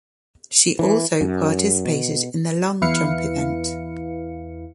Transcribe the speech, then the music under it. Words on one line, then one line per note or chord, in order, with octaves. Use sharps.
She also participated in the Long jump event.
E3
F#2
B2
E2 E4 B4 F5 C#7